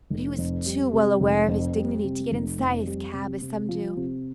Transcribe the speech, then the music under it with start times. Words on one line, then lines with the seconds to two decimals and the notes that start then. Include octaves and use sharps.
But he was too well aware of his dignity to get inside his cab as some do.
0.10 F1
0.38 F2
0.66 G3
0.93 C3
1.20 F1
1.48 F2
1.76 G3
2.04 C3
2.32 F1
2.59 F2
2.87 G3
3.13 C3
3.42 C3
3.69 F3
3.97 C3